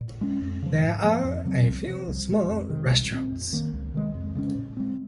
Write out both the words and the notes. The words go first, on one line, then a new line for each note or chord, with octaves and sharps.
There are a few small restaurants.
A#2
G#3 C#4
F2
C#3 F3
G#2
F3 A#3
F2
C#3 F#3 C4
C2
C3 F3
C2
A#2 G#3
F2
C3 D#3
C2
A#2 G#3 C4
F2
D#3 A#3
C#2
C3 D#3 G#3
F2
C#3 G#3 C#4
A#2
G#3 C4